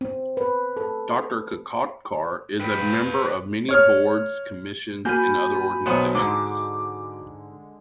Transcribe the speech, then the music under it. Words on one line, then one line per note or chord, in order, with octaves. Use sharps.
Doctor Kakodkar is a member of many boards, commissions, and other organizations.
C4
B4
A4
B4 G5
C#5 F6
A#3 F#4 G#5 B5 G6 D#7
B1 B3 C5 F#5
G#2 D3 G#3 D6